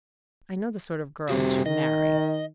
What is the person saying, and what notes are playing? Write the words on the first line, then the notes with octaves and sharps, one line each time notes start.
I know the sort of girl he should marry.
C3 G3 C4 F#4
D#3 D#5